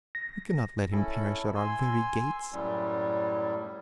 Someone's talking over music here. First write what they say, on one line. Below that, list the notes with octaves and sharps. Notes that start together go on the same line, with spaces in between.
We cannot let him perish at our very gates.
A#6
C#4 E4 A4
G#5 C6 E6
F#2 A2 G3